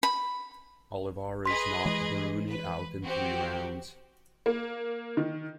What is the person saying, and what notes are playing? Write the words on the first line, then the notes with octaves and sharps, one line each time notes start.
Olivares knocked Burruni out in three rounds.
B5
G#4 B4 D#5 C6 B6
E3 G#3
B4
C4 F#4 G4
A#3
D#3